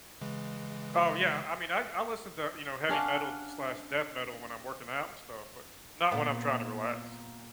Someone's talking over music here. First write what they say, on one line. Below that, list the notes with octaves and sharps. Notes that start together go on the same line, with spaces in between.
Oh, yeah. I mean, I d I listen to, you know, heavy metal, d slash death metal when I'm working out and stuff, but not when I'm trying to relax.
C#3 E3 G#3
C#4 D4 F5 F#5
A#2 B3